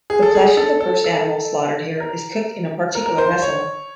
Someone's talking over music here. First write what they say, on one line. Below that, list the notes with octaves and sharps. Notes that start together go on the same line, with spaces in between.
The flesh of the first animal slaughtered here is cooked in a particular vessel.
G#4
A4
G#4
A4
A4
A4
A#4
A#4
A#4
C5
C5
C#5